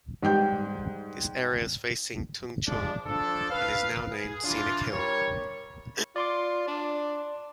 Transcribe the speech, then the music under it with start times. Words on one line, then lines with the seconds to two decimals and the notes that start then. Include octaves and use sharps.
This area is facing Tung Chung and is now named "Scenic Hill".
0.23 G#2 G3 G5 G6
2.67 F3 G#3 D4
3.06 F3 D4 A4
3.49 B4 F5
4.12 G#4
4.44 E3 D4 F4
4.92 G3 A#4 C#5
6.16 F4 D5 C6 D6
6.67 D4